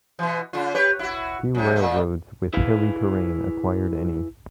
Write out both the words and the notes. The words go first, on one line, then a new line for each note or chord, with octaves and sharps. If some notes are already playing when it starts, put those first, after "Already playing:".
Few railroads with hilly terrain acquired any.
B2 E3
C#3 F4
G4 B4 C#5
E4 F#4
F#2 C3
A#2 A3
E4 G#4 B4 F5